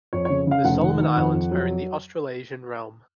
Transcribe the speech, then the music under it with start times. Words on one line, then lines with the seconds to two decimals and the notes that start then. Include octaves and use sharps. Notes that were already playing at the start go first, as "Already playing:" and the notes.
The Solomon Islands are in the Australasian realm.
0.13 F2 C#5
0.25 C#3 C#5
0.47 C#3 F5
0.64 F1 F#5
0.82 D#3
0.99 D#3
1.16 F2
1.33 F2
1.51 F#3